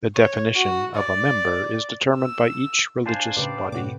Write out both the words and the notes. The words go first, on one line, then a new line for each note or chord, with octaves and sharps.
The definition of a member is determined by each religious body.
C#5
F#4
D5
E6
D4 F4 C5 G#5
A2 C#3 G4 B4 D5
A2 C3 F#4 D6